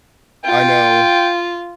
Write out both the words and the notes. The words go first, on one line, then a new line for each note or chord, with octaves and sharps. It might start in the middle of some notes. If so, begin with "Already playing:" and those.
I know
F4 G5